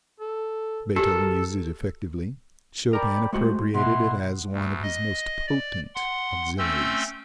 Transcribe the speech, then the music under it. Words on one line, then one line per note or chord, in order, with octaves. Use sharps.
Beethoven used it effectively. Chopin appropriated it as one of his most potent auxiliaries.
A4
F#4 G4 A4 A#4
A#4 D5 G5 A#5 B5
G#3 A3 F#4 C5
B2 E4 F#5 C6
D2
D#5
D5
F#5 C6
A3 C4 C#4 C6 E6 G6